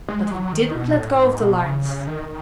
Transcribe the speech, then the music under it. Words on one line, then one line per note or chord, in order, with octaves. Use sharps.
But he didn't let go of the lines!
G#3
F#3
D#3
B2
A2
G#2
B2
C#3
D#3